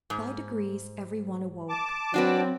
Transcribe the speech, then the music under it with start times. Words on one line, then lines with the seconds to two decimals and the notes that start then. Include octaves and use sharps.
By degrees every one awoke.
0.10 G#2
1.69 A5 D6
2.14 F#3 C4 D4 F#4 B4